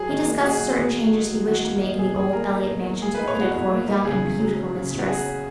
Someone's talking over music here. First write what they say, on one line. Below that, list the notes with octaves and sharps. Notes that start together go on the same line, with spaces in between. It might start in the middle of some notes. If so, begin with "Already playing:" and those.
He discussed certain changes he wished to make in the old Elliott mansion to fit it for a young and beautiful mistress.
Already playing: F#3 G#4
D#3
A#3
F#4
D#4 G#4
F#3
D#3
A#3
D#4
F#3
D#3 F#4
A#3
D#4
B2 G#4
E2 G#4
A#3 A#4
D#4 A#4
B2
E2
A#3 G#4
B4
D#4
C#5
B2 F#4
E2
A#3
D#4
C#3 G#4
E2
F#3
C#4
C#3
E2
F#4
F#3 G#4
C#4